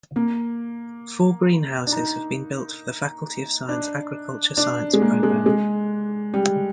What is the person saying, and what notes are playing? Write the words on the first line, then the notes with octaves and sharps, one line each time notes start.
Four greenhouses have been built for the Faculty of Science, Agriculture Science program.
A#3
D4
D#4
D4
D4
G#3
A#3
G#3
G#3
G3